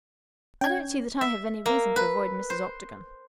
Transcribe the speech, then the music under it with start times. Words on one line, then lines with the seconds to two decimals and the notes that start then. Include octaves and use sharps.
"I don't see that I have any reason to avoid Mrs. Octagon."
0.61 C#4 G5 G#6
1.21 E5
1.66 A#3
1.96 B4
2.50 C5